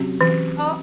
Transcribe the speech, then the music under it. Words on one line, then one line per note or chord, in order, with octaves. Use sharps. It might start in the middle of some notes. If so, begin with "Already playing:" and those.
Uh, oh uh,
Already playing: C3 F#3 C#4 F#4
E3